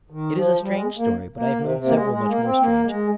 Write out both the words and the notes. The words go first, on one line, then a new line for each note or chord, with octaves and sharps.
It is a strange story; but I have known several much more strange.
D#3
F3
G3
G#3
A#3
A#3
C3
C3
A#3
G#3
G#3
A#3
C4
A#3
G#3